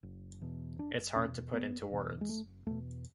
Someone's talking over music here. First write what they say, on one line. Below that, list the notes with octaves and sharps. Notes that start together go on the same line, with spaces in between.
It's hard to put into words.
F#1
E2 B2
F#1 D4
E2 B2 C#4
F#1 B3
E2 B2
G#3
F#1 A3
E2 B2 A3